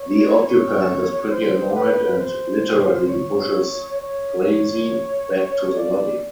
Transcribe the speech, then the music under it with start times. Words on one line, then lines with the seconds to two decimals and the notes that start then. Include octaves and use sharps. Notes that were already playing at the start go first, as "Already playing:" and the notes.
The occupant is pretty annoyed and literally pushes Krazy back to the lobby.
Already playing: C#5
0.41 C#5
1.30 C5
1.74 B4
2.19 C5
3.08 C#5
3.97 C#5
5.75 D5